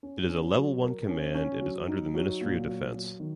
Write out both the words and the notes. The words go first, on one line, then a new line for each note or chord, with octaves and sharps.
It is a Level.I command and is under the Ministry of Defence.
C#4
C#4
F#3
A#4
C#4
C#4
F#3
D#4
F#3
A#2
F#3
F#3
D#3